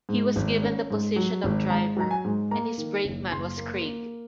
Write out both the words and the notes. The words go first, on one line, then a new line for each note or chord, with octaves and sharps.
He was given the position of driver and his brakeman was Craig.
G#2
G#1
C#4
G#2
F#3
G#1
G#2 A#5
F#3 A#5
G#5
G#2
A#3 A#5
D#3
F#1
F#1 C6
A#3
A#3